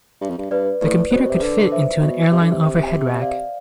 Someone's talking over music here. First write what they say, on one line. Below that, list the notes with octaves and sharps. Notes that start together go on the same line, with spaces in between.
The computer could fit into an airline overhead rack.
G2
F2
G2
G2 B4 D5
A2 B4 D5
B2 C5
C3
D3 B4 D5
C5 E5
B2
C3
D3
C3
D5 F5